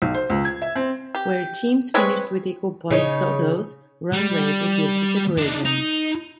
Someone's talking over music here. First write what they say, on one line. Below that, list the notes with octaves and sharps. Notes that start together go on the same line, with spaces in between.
Where teams finished with equal points totals, run rate was used to separate them.
B1
C5
C#2
G#6
E5
C4
G4
G#3 C4 B4 C#5
C#3 D#4 C#5
G3
D4 D#4
D#4